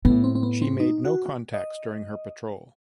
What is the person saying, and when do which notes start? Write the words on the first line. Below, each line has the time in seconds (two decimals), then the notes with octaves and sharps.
She made no contacts during her patrol.
0.05 A2 B3
0.24 C4
0.35 C4
0.43 B3
0.62 C4
0.80 D#4
1.05 F#4
1.54 D#5